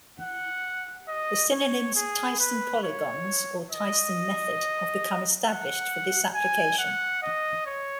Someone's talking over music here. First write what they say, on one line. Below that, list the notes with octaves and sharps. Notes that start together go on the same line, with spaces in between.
The synonyms Thiessen polygons or Thiessen method have become established for this application.
F#5
D#5
C#5
G#4
B4
C#5
D#5
F#5
G#5
F#5
D#5
C#5